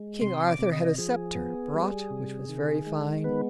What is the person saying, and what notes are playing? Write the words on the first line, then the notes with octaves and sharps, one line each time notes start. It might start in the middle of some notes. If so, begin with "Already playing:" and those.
King Arthur had a sceptre brought which was very fine.
Already playing: G#3
C3 C6
D6
C3
D#5
F3 G#4
B3
G3
C3
D#3
G#3
B3 B4